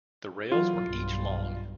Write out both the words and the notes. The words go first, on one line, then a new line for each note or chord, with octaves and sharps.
The rails were each long.
E3 F#3 F4
B1 G2